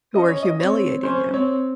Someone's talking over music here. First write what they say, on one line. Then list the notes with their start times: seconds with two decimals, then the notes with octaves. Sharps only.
Who are humiliating you.
0.15 C#4 D#5
0.29 C#5
0.43 D#5
0.60 C4 C#5
1.03 C#4 C5
1.33 C4 C#5